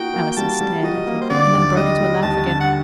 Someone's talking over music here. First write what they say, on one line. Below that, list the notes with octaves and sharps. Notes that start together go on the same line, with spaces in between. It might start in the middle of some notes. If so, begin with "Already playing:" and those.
Allison stared at him, and then broke into a laugh again.
Already playing: A#3 D#4 F#4 G5
A#3
G5
G3 A5
G3
F#4 D#5
A#3
C5
D3 D5
D#2
G3 D#5
G3
D#2 A5
D3 A5
F#5